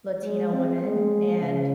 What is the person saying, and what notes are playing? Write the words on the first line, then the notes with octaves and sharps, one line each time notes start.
Latino women, and,
G#3
C4
G#3
C#3